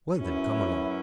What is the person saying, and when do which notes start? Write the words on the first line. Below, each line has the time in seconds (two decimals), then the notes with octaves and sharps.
"Well, then, come along."
0.19 F#2 F#3 C#4 E4 B4